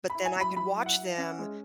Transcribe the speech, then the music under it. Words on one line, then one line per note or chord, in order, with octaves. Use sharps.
But then I could watch them
B5
E4
G#5
F#3 B5
F#3 B5
E4
F#5
E4
C#4
G#3